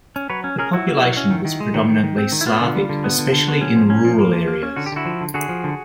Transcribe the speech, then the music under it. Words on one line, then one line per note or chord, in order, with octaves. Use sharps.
The population was predominately Slavic, especially in rural areas.
C#4
F#3 B4 C#5
C#4
C#4 G#4 A#4
F#3 E4 F#4
A#3
F#3
C#4
D#3
D#3
G#3
D#3
D#3
D#3
C4
D#3
E4
B3 F4
D3
G3
D3
B3
D3
D3
B3
C#4
F3
C#4
F3
A#3
F3
A#3
C#4
D3 F#4
G4
D3 E4 F#4
F3
D3
D3 F#4 G#4
F3
D3